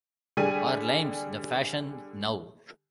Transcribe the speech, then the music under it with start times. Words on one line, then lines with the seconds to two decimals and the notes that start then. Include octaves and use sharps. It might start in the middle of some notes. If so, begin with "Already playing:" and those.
Are limes the fashion now?
0.37 D3 G3 G#4 G#5 D#7